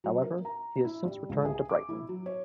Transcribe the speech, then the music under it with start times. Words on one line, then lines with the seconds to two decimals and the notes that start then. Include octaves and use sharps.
However, he has since returned to Brighton.
0.04 F#3
0.22 A#4
0.45 A#5
0.84 E4
1.05 G3
1.29 C#2
1.45 G#4
1.69 D6
1.89 E4
2.09 F#3
2.26 C#5